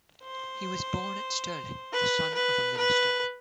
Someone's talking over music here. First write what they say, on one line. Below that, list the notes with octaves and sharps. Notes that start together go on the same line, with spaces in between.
He was born at Stirling, the son of a minister.
C5
B4
B4
B4